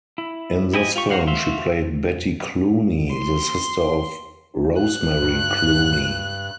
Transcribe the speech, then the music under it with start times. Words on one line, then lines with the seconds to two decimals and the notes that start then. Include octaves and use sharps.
In this film she played Betty Clooney, the sister of Rosemary Clooney.
0.18 E4
0.74 E4 G4 D#5 G#5
0.96 F4 G4 C#6
1.10 F#4 A#4 C5 F5 F#5
1.27 F#4 E5 F5 C6
3.11 C6
4.82 F#6
5.23 G2